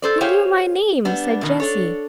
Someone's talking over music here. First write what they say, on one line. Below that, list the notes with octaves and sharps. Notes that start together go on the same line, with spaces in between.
"He knew my name," said Jessie.
A4 C5 D5
G4 G#4 C5 C#5 F5 G5
G3 B3 D4
B2 D#3
D4 A4 C#5